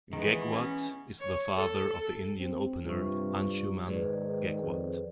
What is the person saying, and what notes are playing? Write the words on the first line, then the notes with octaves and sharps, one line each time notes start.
Gaekwad is the father of the Indian opener Anshuman Gaekwad.
D#3 E3 G#3 B3
C#4
C#5
A4
C4
G2 C3 F4 C#6
G#2 D#3 G#4 B4 D5
F2